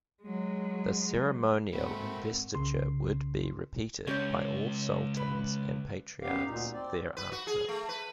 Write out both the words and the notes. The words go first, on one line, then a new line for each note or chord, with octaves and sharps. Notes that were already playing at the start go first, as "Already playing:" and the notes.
This ceremonial investiture would be repeated by all sultans and patriarchs thereafter.
F#3 G#3
G#2 A3 A#3 C4 F#4 B5
C2 C#3 C6
C#2 C#4 G4 C#5
B4
F#2 B3 G4 F5
D2 A#2 D#4
C4 D5
B4
F#4
G#4
A3
B4